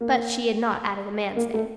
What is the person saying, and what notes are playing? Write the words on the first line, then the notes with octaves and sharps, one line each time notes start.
But she had not added the man's name.
A#3
A#3
A3